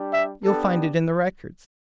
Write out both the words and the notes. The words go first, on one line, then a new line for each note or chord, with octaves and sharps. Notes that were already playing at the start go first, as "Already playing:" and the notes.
You'll find it in the records.
Already playing: G3 D4 G4
E5
B3 D4 G4 A4